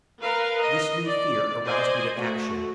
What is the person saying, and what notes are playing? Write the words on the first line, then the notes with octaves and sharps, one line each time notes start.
This new fear aroused me to action.
A#4 B4 F5
D#5
D5
C5 D5 D#5 G#5
A3 F#4